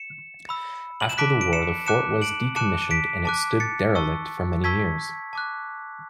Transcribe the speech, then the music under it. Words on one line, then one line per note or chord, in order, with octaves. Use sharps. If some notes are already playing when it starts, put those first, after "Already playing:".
After the war, the fort was decommissioned and it stood derelict for many years.
Already playing: C#7 E7
B5 E6
F#7
E7
A5 D6 F#6 B6 D7
D7
C#7 E7
A5 D6 F#6 C#7 E7
D7 F#7
A5 D6 F#6 C#7 E7
B6 D7
A5 D6 F#6
A6 C#7
A5 C#6 E6
A5 C#6 E6 G#6 B6
A5 D6 F#6